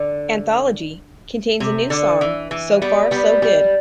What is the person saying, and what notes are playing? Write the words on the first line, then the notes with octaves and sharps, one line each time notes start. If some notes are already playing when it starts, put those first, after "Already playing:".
"Anthology" contains a new song, "So Far So Good".
Already playing: D3
C3
D3
E3
E3
G3 B3
G3 B3
G3